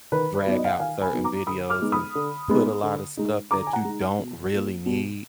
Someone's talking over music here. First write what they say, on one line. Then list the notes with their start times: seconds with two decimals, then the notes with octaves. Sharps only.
drag out certain videos and put a lot of stuff that you don't really need,
0.12 D#3 B4
0.35 B4
0.46 F#3 B3 D#4 D5
0.58 D#5
0.65 F5
0.73 F#5
0.79 D#3 F5 G#5
1.02 G#5 B5
1.13 F#3 B3 D#4
1.24 A#5 D6
1.47 D3 B5 D#6
1.70 D6 F6
1.82 G#3 B3 D#4
1.92 B5 D#6
2.15 D3
2.49 G#3 B3 D#4
2.83 D3
3.17 G#3 D#4
3.51 D3 A#5 D6
3.67 G#5
3.73 F#5 A#5
3.85 G#3 D#4
4.19 B2
4.53 A#3 F4
4.86 B2